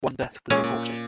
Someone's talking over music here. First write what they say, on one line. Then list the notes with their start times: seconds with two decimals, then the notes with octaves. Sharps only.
One death was reported.
0.50 A#2 G#3 C#4
0.64 A#2